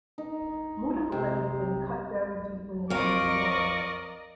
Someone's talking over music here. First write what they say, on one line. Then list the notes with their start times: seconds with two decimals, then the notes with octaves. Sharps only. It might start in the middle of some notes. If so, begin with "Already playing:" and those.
Muta bladed and cut very deeply into his forehead.
0.18 D#4
1.12 C3
2.90 F2 A#4 D5 D#5 F5 C#6